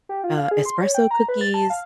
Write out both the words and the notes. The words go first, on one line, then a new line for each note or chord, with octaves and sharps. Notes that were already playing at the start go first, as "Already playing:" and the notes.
uh, espresso cookies,
G4
F4
F5
G#4
C6
C#5
G5
A#5
B4
A6
A5
F5